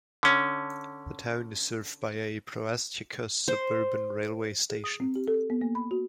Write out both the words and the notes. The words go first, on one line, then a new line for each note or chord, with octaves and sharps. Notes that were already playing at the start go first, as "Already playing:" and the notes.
The town is served by a Proastiakos suburban railway station.
D3 C#4
C5
G#4
D#6
C4
G4
A4
B3
A#3
B5
F#4